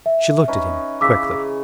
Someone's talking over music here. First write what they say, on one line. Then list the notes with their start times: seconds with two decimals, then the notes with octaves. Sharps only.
She looked at him quickly.
0.06 E5
0.48 C#4 D#4 B4
1.01 C#3 E3 D6 E6 B6